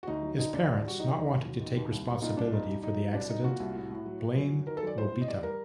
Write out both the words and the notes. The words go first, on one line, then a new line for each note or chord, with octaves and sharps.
His parents, not wanting to take responsibility for the accident, blame Robita.
F#4
D2 D#4
F#3
D3 D#4
D2 D4
D#2
G3 F#4
D#3 D#4
D#2 D#4
D#2
F#3
D#3
D#2
C2
F#3
A#2 D#4
C2 D4
G2 D#4
G2
F#3 D#4
F#3
C2 D4
F#3 D#4
A#2 F#4
C2
A2
A2
F#3
F#3
F#2
F#3
D#3 A#4
A4
F#2 D5
A2 C5
A2
D#5
G3 D5
G3 A#4